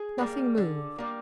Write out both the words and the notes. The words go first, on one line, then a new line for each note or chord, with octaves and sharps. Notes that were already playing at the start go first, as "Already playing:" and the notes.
Nothing moved.
Already playing: G#4
G3 A#3
D3
G3 A#3